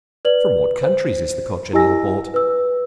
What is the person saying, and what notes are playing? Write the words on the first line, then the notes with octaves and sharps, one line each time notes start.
From what countries is the Cochineal brought?
B4 D5 F#7
C5
E4 G4 D#5 G#5 E6 A#6
B4 E6